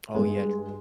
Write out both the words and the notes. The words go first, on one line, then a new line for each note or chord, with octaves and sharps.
Oh yeah, true,
G2 G#3